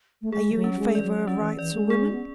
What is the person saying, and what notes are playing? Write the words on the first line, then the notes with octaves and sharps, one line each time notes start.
"Are you in favour of rights of women?"
A3
G#3 G#4
E3
F#3
C#4
G#3
E3 D5
F#3
F#3 C#4
E3
E3 D5
G#3
G#4
B3